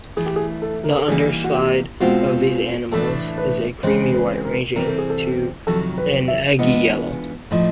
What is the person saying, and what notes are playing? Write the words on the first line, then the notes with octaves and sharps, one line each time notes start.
The underside of these animals is a creamy white ranging to an eggy yellow.
G2 E3 A3 G#4
G4
G#4
A4
A#4
A4
E3 G3 A#3 D#4 G#4
F#4
G4
B2 G#3 C4 F4 F#4 A4
A2 E3 A3 D4 A4
B4
C#3 E3 G#3 C4 C5
B4
A#4
C3 E3 G3 C4 A#4
A4
G#4
A4
F2 C3 D#3 F#3 A4
B4
E5
E3 G#3 B3 D4 F4 D#5
A2 F3 A3 D4 D#5